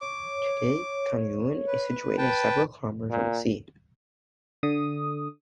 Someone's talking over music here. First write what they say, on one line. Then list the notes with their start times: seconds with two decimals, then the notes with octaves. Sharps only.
Today Kauniainen is situated several kilometres from the sea.
0.01 C#5 D6
1.67 B4
2.18 B4 G5 A5
3.10 A#2
4.63 D3 D#6